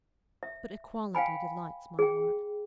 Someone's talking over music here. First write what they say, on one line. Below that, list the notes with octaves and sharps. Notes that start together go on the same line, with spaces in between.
But equality delights my heart.
E5
F5 G5 G#5 B5
G#4 G5